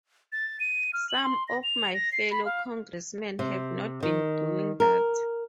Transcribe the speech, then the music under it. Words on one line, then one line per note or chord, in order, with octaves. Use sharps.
Some of my fellow congressmen have not been doing that.
A6
D#7
F6
F#7
C6
A#6
F7
A#6
C7
B5
F5
C3
D#3
A#4